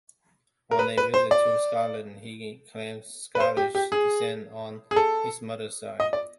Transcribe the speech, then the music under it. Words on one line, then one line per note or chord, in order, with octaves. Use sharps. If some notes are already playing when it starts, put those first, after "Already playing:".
On a visit to Scotland, he claimed Scottish descent on his mother's side.
A#4
B4
B4
C5
D5
B4
C5
G4
G4
G#4
G#4
A4
D#5
D5